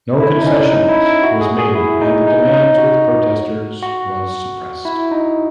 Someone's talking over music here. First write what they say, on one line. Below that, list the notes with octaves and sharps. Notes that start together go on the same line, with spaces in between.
No concessions was made and the demands with protesters was suppressed.
E4
D#4
C#4
D#4
E4
E4
F#4
G#4
G#4
E4
D#4
D#4
D#4
F#4
F#4
E4
D#4